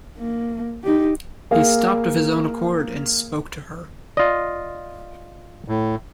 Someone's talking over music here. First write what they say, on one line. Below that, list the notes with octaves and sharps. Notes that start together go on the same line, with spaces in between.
He stopped of his own accord and spoke to her.
A#3
D#4 G4
A#3 G#4 A#4 F5
F4 D5 D#5
A2